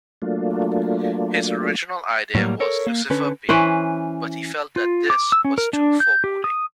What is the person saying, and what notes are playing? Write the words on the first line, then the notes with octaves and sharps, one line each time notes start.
His original idea was Lucifer Payne, but he felt that this was too foreboding.
F#3 A3 A#3 D4 F4
A2 F#3 G3 A#3
A4 A#4 C#5
A#3
D3 C#4 B4
E3 C#4 B4 C5
F4
D6
E6
C#4
A#4
D4
G6
G4
D#6